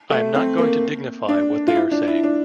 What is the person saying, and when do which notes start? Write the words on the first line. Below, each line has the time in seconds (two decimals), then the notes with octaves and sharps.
I am not going to dignify what they are saying.
0.10 A3
0.35 C4
0.58 A#3
1.29 D4
1.68 F4
1.75 E4
1.91 D4
2.08 E4
2.23 D4